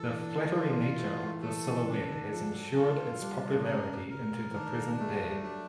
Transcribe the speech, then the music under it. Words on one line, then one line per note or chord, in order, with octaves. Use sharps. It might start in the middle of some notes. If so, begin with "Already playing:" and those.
The flattering nature of the silhouette has ensured its popularity into the present day.
Already playing: E3 A4
D4
F4
A3
A4
C#3 D4
D#3
F3 A4
F#3
F4
F#3
G3 D4
C3
C#3 A#4
A#4
E3
D#3 D4
G#3 A3
G3
F#3
G3
F#3 D4